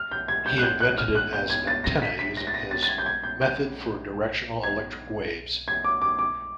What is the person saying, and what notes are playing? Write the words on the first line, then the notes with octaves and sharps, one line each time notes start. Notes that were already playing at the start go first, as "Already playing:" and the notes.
He invented it as an antenna using his "method for directional electric waves".
Already playing: F6
G6
G#6
G6
F#6
G6
F#6
F6
F#6
G6
G#6
A6
A#6
B6
B6
A#6
A6
A#6
A6
A6
G#6
G6
G#6
G6
G6
G#6
G#6
D6
D6
D6